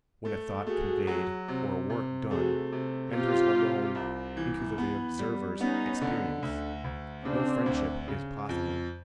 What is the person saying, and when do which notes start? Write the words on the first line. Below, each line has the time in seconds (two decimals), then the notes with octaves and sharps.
When a thought conveyed or a work done enters alone into the observer's experience, no friendship is possible.
0.25 A3
0.66 A3 F#4 G#4
1.07 F#3
1.48 C3
1.90 C3
2.31 A3 F#4 G#4
2.72 C3
3.13 C3 F4 G4
3.54 C3
3.95 C2
4.37 E3
4.78 B3
5.19 G3
5.60 B3 C#4 D#4
6.01 D3
6.42 D2
6.84 D2
7.25 C#3 C4 D4
7.66 D2
8.08 C#3
8.49 F2